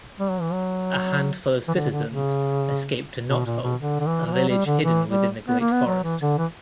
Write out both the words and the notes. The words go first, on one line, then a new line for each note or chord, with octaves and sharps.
A handful of citizens escape to Knothole, a village hidden within the Great Forest.
G3
F#3
E3
F#3
E3
D3
D3
C#3
B2
A#2
B2
D3
D3
E3
E3
F#3
G3
D3
E3
G3
B3
A#3
B3
F#3
E3
D3
E3